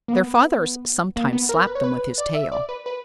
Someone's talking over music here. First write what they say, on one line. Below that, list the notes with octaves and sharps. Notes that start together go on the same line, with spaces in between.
Their father sometimes slapped them with his tail.
A#3
B3
A#3
B3
A#4
B4
C#5
B4
D5
E5
D5
B4
B4